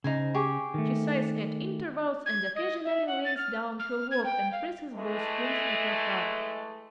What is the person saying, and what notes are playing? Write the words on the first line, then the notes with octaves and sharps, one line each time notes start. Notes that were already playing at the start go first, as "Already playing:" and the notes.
She sighs at intervals and occasionally lays down her work and presses both hands to her heart.
C#3 D#4 C5 G#5
G4 G#4 C#6
D#3 A3
G#6
D#5
E5
F#5
A6
F6
F6
G#6
G5
F5
E3 G#3 A3